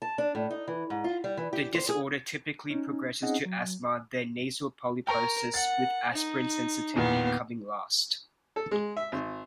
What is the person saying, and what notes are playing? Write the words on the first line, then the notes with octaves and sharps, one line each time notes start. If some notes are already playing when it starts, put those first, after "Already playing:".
The disorder typically progresses to asthma, then nasal polyposis, with aspirin sensitivity coming last.
A5
D4
A2
D#4
E3
G#2
F4
G3
E3
G4
C5
G#4
C#4 D#4
C4 C#4 D#4 G#4 D#5 F#5
F#3
A#4 G5 A#5 C#6
F#5 A6
D#4
E2 A#2 D#3 B3 F5
A4
G#3
E5
G#1